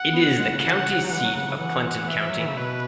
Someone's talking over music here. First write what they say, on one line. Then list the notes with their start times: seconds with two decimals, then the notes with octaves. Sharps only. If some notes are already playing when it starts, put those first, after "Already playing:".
It is the county seat of Clinton County.
Already playing: F#5
0.13 B3
0.38 G#3
0.49 C#3
0.62 F#5
1.03 F#3
1.11 E3 F#5
1.18 G#3
1.22 F#3
1.34 C#3
1.47 C#3
1.59 E3 F#5
2.08 E5
2.29 F#3
2.38 E3
2.47 C#3
2.57 B2 B4